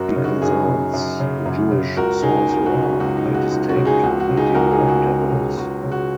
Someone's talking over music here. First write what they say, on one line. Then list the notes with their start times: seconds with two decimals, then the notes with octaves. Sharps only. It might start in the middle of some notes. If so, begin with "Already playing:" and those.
He consults a Jewish sorcerer and is taken to a meeting of devils.
Already playing: F#2 F#4 A#4
0.08 D#4
0.16 C#3
0.25 F#4
0.42 F#2 D#4 G#4
0.68 C#3
0.93 F#2
1.20 C#3
1.46 F#2
1.71 C#3
1.96 C#2 F#4 A#4
2.23 C#3 D#4 G#4
2.48 C#2 D#4
2.66 F#4
2.74 C#3
2.83 F#4
3.00 C#2 F#4
3.17 D#4
3.26 C#3
3.34 F#4
3.52 C#2 D#4
3.69 F#4
3.77 C#3
3.85 D#4 G#4
4.03 C#2 F#4
4.20 F#4
4.29 C#3
4.37 D#4 G#4
4.54 C#2 F#4 A#4
4.71 D#4 G#4
4.81 C#3
4.88 F#4
5.06 C#2
5.32 C#3
5.57 C#2 F#4
5.84 C#3
5.92 F#4